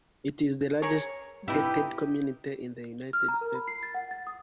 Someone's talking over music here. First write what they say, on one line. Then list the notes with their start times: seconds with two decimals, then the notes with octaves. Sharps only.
It is the largest gated community in the United States.
0.82 G#4 A#4 C#5
1.48 C3 D#4 E4 G4 B4
3.13 F6
3.28 A#5
3.41 A#4
3.55 B5
3.68 C7
3.83 A6
3.94 F#5
4.11 A6
4.27 D#6